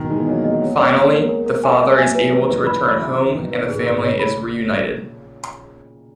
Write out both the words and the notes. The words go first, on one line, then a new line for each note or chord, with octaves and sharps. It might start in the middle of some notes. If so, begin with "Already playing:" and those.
Finally, the father is able to return home and the family is reunited.
Already playing: B2 D#3
E3 G#3 D#4
B3
F#3 A#3 D#5
G#3 B3 D#5
G#3 B3 C#5
A#3 C#4 C#5
C#4 C#5
B3
A#3
G#3 B3 A#4
A#4
A#4
G#5
E5
F#3 A#3 G#5
B4
F#3
E3 G#3 B4
D#3 F#3 B4
C#3 E3 B5
E3 B5
F#3
C#3 E3 E5
B4
B2 D#3 B4
B4
A#2 C#3 G#4
B2 B4
B2
A#2 C#3 C#5
B5